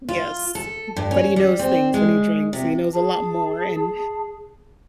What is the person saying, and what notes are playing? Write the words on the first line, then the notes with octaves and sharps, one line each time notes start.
Yes, b but he knows things when he drinks, he knows a lot more, and
F4
A4
G2
C#4
G3
C4
G#3
C3
G#4 A5